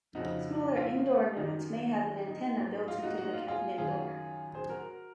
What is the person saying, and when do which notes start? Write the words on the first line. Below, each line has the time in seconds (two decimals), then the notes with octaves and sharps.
Smaller indoor nodes may have an antenna built into the cabinet door.
0.15 F2 C#3 F3 D#4 F#4
0.76 F4
1.36 F#2 D#3 F#3 D#4
2.27 D#4
2.57 G#2 F#3
2.88 F4
3.03 D#4 F#4
3.18 D#4 F#4
3.33 F4
3.48 F4 G#4
3.78 F#2 D#3 F#3 F4 G#4
4.54 G#4 C5
4.69 F#4 A#4